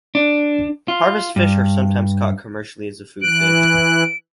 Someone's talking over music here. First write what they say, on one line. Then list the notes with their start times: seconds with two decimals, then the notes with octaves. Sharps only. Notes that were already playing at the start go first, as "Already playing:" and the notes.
Harvestfish are sometimes caught commercially as a food fish.
0.15 D4
0.88 F4
1.36 G2
3.22 E3 F#6 D7